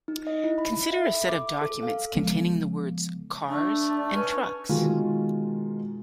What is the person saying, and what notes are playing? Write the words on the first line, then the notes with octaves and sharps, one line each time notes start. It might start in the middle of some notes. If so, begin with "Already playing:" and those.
Consider a set of documents containing the words “cars” and “trucks”.
D#4
D#5
E4
B5
E5
A4
D6
A4
F5
C#3 F3 G#3 B3
A3 D4
C#4 B4
B2 D#3 G#3 F4